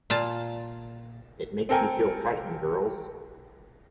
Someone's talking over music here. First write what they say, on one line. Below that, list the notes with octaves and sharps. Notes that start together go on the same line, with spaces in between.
It makes me feel frightened, girls.
A#2 F4 A5
C4 A4 A#4 G5 G#5